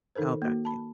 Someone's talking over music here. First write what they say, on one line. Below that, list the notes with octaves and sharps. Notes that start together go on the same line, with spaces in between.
Oh, got you.
D#3 D#4 A4 A#4 C5
A#3 F#4
A5 B5